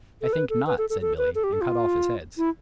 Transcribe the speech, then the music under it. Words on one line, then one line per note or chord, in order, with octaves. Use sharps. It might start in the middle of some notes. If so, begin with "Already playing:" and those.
"I think not," said Billy, and cut off his heads.
A4
B4
A4
B4
A4
A4
A4
B4
A4
G4
A4
F4
E4